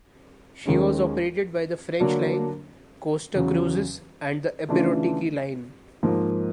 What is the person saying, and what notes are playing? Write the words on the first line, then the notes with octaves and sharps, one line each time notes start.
She was operated by the French Line, Costa Cruises, and the Epirotiki Line.
D#2 D#3 G#3 C#4
D3 F#3 A#3 D4
E2 C#3 F#3
C#3 E3 A3 D4 F4
G#2 F3 A#3